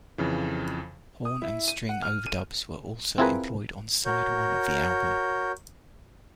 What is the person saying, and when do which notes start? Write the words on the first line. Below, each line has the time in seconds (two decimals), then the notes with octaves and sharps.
Horn and string overdubs were also employed on side one of the album.
0.18 F2 C#3 E3
1.25 D#6
1.42 E4
1.68 D#7
1.89 F#5
2.02 F6
2.26 D#7
3.18 C4 E4 F4 G#4 A#4 B4
4.05 F#4 A#4 C#5 G6